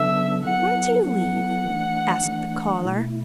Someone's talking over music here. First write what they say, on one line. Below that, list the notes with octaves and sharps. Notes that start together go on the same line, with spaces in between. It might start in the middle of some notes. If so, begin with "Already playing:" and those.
"Where do you live?" asked the collar.
Already playing: C#3 F#3 B3 D4 A4 E5
F#3 B3 E4 A4 F#5
F#3 B3 E4 A4 F#5
E3 A3 D4
E3 A3 D4
B2 A3 E4